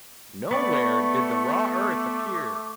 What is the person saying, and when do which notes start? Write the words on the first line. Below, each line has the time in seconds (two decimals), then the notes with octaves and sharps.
Nowhere did the raw earth appear.
0.51 A3 B3 D5 C#6
1.75 D6